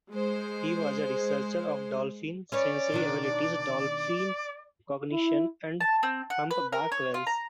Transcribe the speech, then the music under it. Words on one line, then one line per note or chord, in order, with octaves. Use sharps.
He was a researcher of dolphin sensory abilities, dolphin cognition, and humpback whales.
G#3 C5
C#4 B4 C#5 D5
B2 D#3 D4
E4
A5
C4
F#5
B4
A#4
C#5
F4
A#5